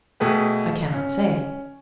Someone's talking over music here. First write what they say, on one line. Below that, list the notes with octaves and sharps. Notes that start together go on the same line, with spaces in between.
"I cannot say."
B2 A3 G#4 B4 G5
C#4